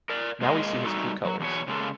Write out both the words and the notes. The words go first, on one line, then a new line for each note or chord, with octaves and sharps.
Now we see his true colors.
A#4 D5
G#3 A#3 F4 G#4 D#5
G3 A3 D#4 F#4 A4
F#3
E2 B2 C#5
C#3 G#3 A#3 A4